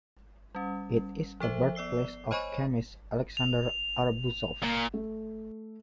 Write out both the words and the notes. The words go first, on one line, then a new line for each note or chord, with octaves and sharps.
It is a birthplace of chemist Alexander Arbuzov.
G3 C#4
F3 A4 C5 E5
B3 D5 E6 C7 G7
C5 C#5 D#5 G#5 B5 C#6
F7
A#2
A3